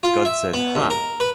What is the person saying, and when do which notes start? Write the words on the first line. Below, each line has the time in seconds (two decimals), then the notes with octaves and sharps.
God Said Ha!
0.03 F4
0.25 E5
0.54 B3
0.75 D#2
0.90 A#4
1.20 B4